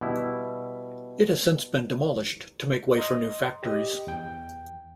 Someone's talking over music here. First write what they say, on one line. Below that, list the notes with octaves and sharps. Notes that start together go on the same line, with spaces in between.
It has since been demolished to make way for new factories.
B2 G3 E4
D#5 A#5 C6 D#6
G4 D#5
E2 G5